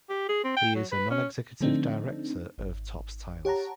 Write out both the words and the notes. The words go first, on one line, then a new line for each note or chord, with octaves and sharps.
He is a non-executive Director of Topps Tiles.
G4
G#4
C4
G5
F#3
B4
C#4
D3 F3 A3 C4 D4 D#4
G#1
G4 C#5 F#5 A5 A#5